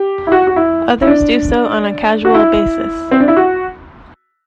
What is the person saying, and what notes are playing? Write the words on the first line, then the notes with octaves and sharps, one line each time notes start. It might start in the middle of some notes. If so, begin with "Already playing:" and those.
Others do so on a casual basis.
Already playing: G4
E4
F#4
F#4
E4
E4
D4
F#4
E4
C4
D4
E4
F#4